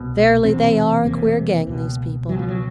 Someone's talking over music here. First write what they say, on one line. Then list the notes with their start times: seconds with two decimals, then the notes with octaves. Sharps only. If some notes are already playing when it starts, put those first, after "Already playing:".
Verily, they are a queer gang, these people.
Already playing: C2 B2
0.44 E1 E2 C3 C4
1.05 E1 E2 C3 A#3
1.67 C#2 B2
2.29 C#2 B2 F#3
2.39 F3
2.48 F#3